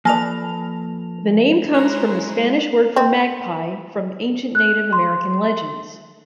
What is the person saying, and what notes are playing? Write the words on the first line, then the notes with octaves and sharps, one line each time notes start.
The name comes from the Spanish word for magpie from ancient Native American legends.
F3 A#3 A4 B4 D5 G#5 A5 F7
G#3 E4 C5 C#5 A#5 F#6
C4
F#6
C6